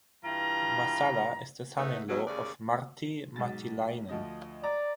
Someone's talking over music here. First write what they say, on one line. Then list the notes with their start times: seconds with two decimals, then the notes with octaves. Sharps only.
Vasala is the son-in-law of Martti Matilainen.
0.23 G2 E3 E4 F4 A#5
1.77 A3 B3 D#4 E5
2.09 B2 F#3
2.26 D#2 C#3 D5
3.36 B1 G#2 A6
4.09 D2 F3 D#5
4.64 D5 A#5